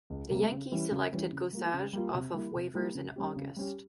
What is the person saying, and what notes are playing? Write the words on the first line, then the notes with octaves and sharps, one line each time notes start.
The Yankees selected Gossage off of waivers in August.
C#2
C3 G3 A#3
C#3
E3 G3 C#4
C#3
E3 G3 C#4
C#3
G3 A#3 F4
C#3
G3 A#3 F4
C3
G3 A#3 E4
C3
G3 A#3 E4
C#3
G3 C#4 G4
C#3
G3 C#4 G4